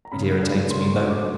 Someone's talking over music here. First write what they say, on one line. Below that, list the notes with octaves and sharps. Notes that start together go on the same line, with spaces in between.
It irritates me though.
A#5
C#3 B5
F#3 A3 D4
C#3 C6
C#6
F#3 A3 D4
D6